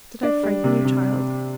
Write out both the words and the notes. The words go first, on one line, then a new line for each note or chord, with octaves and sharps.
Did I frighten you, child?
D4
G3
C3
C3